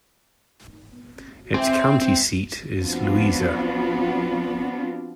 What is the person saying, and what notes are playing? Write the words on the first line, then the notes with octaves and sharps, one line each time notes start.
Its county seat is Louisa.
E3 C4 G#5 D6
C4
F3 B3 C4 D4 F4 F#4